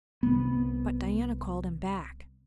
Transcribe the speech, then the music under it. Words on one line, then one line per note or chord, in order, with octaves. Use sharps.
But Diana called him back.
C2 B3